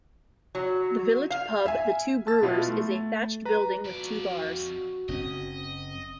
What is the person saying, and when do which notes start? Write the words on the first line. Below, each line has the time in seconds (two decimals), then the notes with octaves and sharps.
The village pub, The Two Brewers, is a thatched building with two bars.
0.55 F#3
1.30 F5
1.66 E5 G#5
2.27 A5 E6 A6
2.42 B2 B3 E4 F4
2.68 A3
3.45 B4 A#5
3.86 F2 F#4 D5
5.08 F#1 C4 C#4 D#5